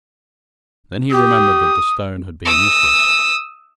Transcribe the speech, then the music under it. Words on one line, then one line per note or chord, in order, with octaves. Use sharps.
Then he remembered that the stone had been useless.
G4 D#6
D#6 E6